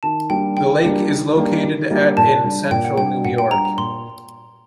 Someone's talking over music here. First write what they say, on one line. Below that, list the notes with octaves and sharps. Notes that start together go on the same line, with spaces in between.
The lake is located at in central New York.
D#3 A5
G3 A#3 D4 G4 G5
D#3 G5
G3 A#3 D4 G4
D#3
G3 A#3 D4 G4
D#3
G3 A#3 D4 G4
A#2 A5
G3 D4
A#2 G5
F#5
G3 D4 G5
A#2 F#5
G5
G3 D4 A#5
A#5
A#2 C6